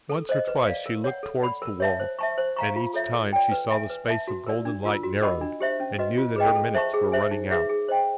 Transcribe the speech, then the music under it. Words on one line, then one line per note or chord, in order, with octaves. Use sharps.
Once or twice she looked towards the wall, and each time she saw the space of golden light narrowed, and knew that her minutes were running out.
A4
C5 D#5
B4
D5 F5
A#4
C#5 F#5
A4
D5 F#5 B5
A#4
C#5 E5 A5
C5
E5 A5 C#6
C5
F5 A#5 C#6
F4
A4 C#5 E5
A4
D5 G5
B4
E5 G#5
B4
E5 A5
F#4
A#4 D5
D4
F4 A#4
F#4
A#4 D#5 F#5 B5
D4
G4 C5 E5
C#4
F#4 B4 D#5
F4
G#4 B4 D#5 G5
A4
C5 E5 A5 C#6
G#4
C5 E5 G#5
D#4
G#4 B4 E5
G#4
C5 D#5 G5